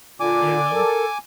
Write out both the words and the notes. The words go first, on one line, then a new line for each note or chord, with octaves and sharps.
You know?
A#2 D3 F4 D5 G#5 D6
A4 A#4